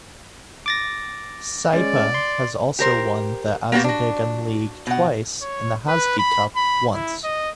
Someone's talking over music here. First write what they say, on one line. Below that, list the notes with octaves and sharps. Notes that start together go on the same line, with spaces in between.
Saipa has also won the Azadegan League twice and the Hazfi Cup once.
D6 A6 A#6
G#3 C#4 D5
C6
G4 A#4 C5
A#3 B3 C#4 F#4 G4
D4 F#4
B2 F#5
C#5
B4
B5
B5
E4
D#5